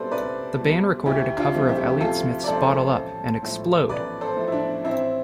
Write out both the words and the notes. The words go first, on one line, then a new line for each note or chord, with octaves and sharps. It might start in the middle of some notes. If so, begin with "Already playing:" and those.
The band recorded a cover of Elliott Smith's Bottle Up and Explode!
Already playing: B2 G3 C4 E4 A4 B4 C5 D5
C2 B4 D5
B2 G3
D2 E4 G4
D4 F4
C3 F3 A3
E4 G4
G4
D2 F4 A4
D5
C3 F3 A3 A4 C5
A1
A2 F3 A3
A1 B4 D5
A4 C5
A2 F3 A3
E4
D4
A1 C4 E4